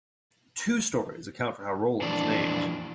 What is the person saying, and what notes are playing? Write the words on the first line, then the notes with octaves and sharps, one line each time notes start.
Two stories account for how Rolla was named.
F2 A#2 E3 D4